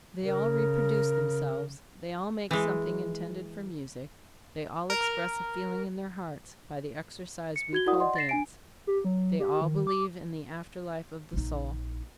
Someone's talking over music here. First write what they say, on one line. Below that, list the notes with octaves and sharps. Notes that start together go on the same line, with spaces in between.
They all reproduce themselves, they all make something intended for music, they all express a feeling in their hearts by the exercise we call dance, they all believe in the after life of the soul.
C#3 A#4
E3 G#3
A#4
C#7
F#4 G#6 G7
E4 F#4 A#4 D5 F#5 D#6
D5 D#5 F#5 C6
A6 A#6 C7 E7
D4 G#5 D7
G4
F#3
G4
D#3
D6
A#1 D#4